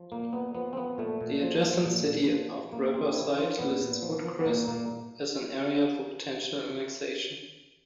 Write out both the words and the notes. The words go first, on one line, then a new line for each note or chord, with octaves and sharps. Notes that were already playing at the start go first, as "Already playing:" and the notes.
The adjacent city of Riverside lists Woodcrest as an area for potential annexation.
Already playing: F3
A#2 A#3
A#2 B3
F3 B3
C4
F3 B3
A#2 A3
A#2
F3
F3
A#2
A#2
F3
F3
A#2 A#3
A#2 C4
F3 E4
F3 F4
A#2 B3
A#2
F3
F3
B3
A#2 A#3
A#2 A#3